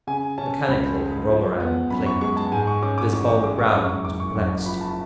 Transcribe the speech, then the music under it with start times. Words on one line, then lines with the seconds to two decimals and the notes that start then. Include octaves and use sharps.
Mechanically Romarin clinked; but his bald brow was perplexed.
0.07 C#3 G#5
0.38 C#4 A5
0.68 C#2 B5
0.99 G#3
1.29 F3
1.60 B3
1.90 F#2 B5
2.06 C#6
2.21 G#3 C#6
2.37 A5
2.52 G#2 G#5
2.67 C#6
2.82 C#4 D6
2.98 D6
3.13 A1 C#6
3.29 C#6
3.43 G#3 D6
3.59 C#6
3.74 F#2 C#6
3.90 C#6
4.05 F#1 D6
4.20 C#6
4.35 F#1 C#6
4.66 F3 B5
4.81 A5